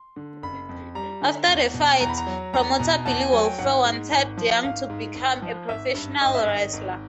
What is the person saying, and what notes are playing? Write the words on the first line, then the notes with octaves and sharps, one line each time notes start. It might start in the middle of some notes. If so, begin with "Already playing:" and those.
After the fight, promoter Billy Wolfe wanted Young to become a professional wrestler.
Already playing: C6
D3
F#1 B5
F2
G3 A#5
D3
E2
B2
E2 A#5
B5
A#5
F#3
E2 A#5
B2 A#5
E2 A5
G#5
F#3 G#5
G5
G#1 F#5
G#2
G#1
F3
G#1 F5
G#2
G#1
F3
G#1 E5
G2
G#1 D#5
E5
D#3 D#5
G#1